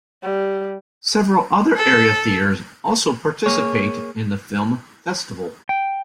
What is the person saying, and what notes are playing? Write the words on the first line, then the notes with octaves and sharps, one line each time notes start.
Several other area theaters also participate in the film festival.
G3
A4
A#3 G#4 C#5
G5